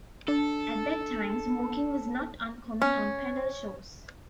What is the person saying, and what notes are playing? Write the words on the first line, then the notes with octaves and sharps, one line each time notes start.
At that time smoking was not uncommon on panel shows.
D4 A4
C#4